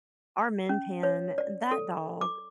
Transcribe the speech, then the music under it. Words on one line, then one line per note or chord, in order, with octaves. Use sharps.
our Min Pin, that dog,
C#4
C#5
D5
A4
D6